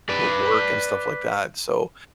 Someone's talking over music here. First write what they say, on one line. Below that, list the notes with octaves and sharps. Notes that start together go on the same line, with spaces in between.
w work and stuff like that, so,
B4 D5